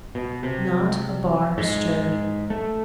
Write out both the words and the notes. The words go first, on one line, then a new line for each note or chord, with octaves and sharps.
Not a bar stirred.
B2
C3
G#2
A3